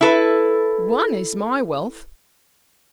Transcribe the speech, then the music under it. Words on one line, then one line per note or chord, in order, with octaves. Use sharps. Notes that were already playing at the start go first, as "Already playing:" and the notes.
ONE is my wealth!
E4 A4 B4